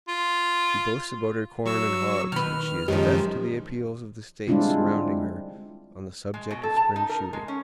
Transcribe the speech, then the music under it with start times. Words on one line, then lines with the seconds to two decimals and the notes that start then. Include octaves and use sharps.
She boasts about her corn and hogs, but she is deaf to the appeals of the states surrounding her on the subject of spring shooting.
0.08 F4
1.66 F#3 C#6 E6
2.32 D#3 B4 F6
2.88 F#2 D#3 F3 G#3 C#4 G4
4.47 G3 G#3 C4 D4 E4 F4
6.34 G#3
6.51 B2
6.63 A4
6.76 A5
6.96 D#4
7.09 A#4
7.33 G#3
7.48 C#4